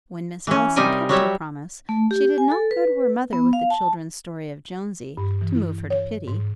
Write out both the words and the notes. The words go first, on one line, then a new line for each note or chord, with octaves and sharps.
When Miss Allison kept her promise she did not go to her mother with the children's story of Jonesy, to move her to pity.
E3 C#4
C3 G3 D#4 A#4 G#5
F#3 G3 C#5 E5
A3
G4
G#5
A4
B4
B3
F5
A5
G2
E3
E4
C#5
G#2